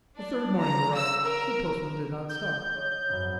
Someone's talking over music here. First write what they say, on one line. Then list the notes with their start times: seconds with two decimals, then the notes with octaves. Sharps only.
The third morning arrived; the postman did not stop.
0.16 D4
0.58 A#5
0.95 E6
1.23 A#4
2.29 G6
2.74 C#5 D#5
3.09 G#1 F#2